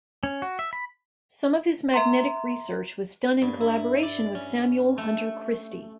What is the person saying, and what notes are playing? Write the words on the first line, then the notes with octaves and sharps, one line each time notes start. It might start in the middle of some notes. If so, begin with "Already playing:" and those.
Some of his magnetic research was done in collaboration with Samuel Hunter Christie.
C#4
F#4
E5
B5
E5 A#5 C6
G2
E4
D5
C#4
A3